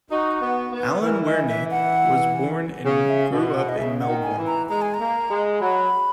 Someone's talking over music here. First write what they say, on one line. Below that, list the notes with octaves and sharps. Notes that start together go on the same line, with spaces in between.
Alan Wearne was born and grew up in Melbourne.
D#4 F#4
B3
B3
E3 A#4
D#5
E5
F#5
C#3
E5
B2
F#5
D#5
C#3 E5
F#5
D#3
G#5
E3
A#5
G#3 A#5
G#5
A#5
A#3
G#3
F#3 B5